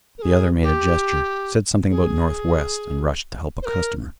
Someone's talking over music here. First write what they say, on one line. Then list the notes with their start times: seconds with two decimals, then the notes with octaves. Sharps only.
The other made a gesture, said something about northwest and rushed to help a customer.
0.18 A#4
0.22 G#4
0.62 G4
1.90 G#4
3.62 C5
3.66 A#4